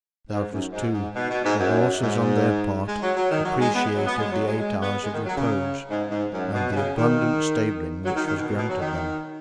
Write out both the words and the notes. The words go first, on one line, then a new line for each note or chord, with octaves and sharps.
Doubtless, too, the horses on their part appreciated the eight hours of repose and the abundant stabling which was granted them.
G#2
F#2
G#2
G#2
B2
B2
G#2
F#2
G#2
G#3
F#3
F#3
D#3
F#3
G#3
B3
G#3
F#3
B3
G#3
F#3
G#3
G#3
B3
G#3
D#3
F#3
C#3
G#2
G#2
F#2
B2
B2
C#3
D#3
F#3
D#3
D#3
B2
B2
B2
F#3
D#3